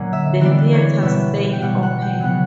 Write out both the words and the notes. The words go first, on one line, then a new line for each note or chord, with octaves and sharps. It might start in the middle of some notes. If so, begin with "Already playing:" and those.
The theatres stayed open.
Already playing: A#2 D3 F#3 A#3 C#4 F#5
E5
E3 G3 B3 D4 D5
C#5
B2 G3 B3 E5
G5
B2 G3 B3 F#5
F#5
G5
C#3 F#3 B3 F#5